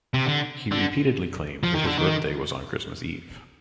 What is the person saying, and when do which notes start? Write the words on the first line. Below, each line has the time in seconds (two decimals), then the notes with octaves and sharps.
He repeatedly claimed that his birthday was on Christmas Eve.
0.14 C3
0.26 D3
0.71 D3
1.63 F3
1.75 D#3
1.87 D3
1.99 D#3